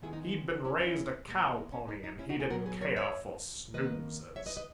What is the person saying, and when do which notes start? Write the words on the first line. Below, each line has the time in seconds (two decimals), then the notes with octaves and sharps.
He'd been raised a cow pony and he didn't care for snoozers.
0.02 D#3 G#3 B3 E4 G#4
0.13 D#4
0.23 D#4
0.64 C#4 E4
0.80 C#4 E4
1.26 A#2 G#3 B3
1.57 D#4
1.72 C#4
1.88 D#4
2.04 D#4
2.19 C#4 E4
2.29 D#4 F#4
2.40 E4 G#4
2.50 A#2 F#3 B3 F#4 A#4
2.66 G#4 B4
2.81 A#4 C#5
2.96 C#5 E5
3.74 D#3 A#3 B4 D#5
4.36 C#5 E5
4.46 B4 D#5
4.56 B4 D#5